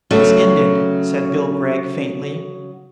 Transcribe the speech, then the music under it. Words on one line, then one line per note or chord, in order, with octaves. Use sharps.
"It's ended," said Bill Gregg faintly.
C#3 F#3 A3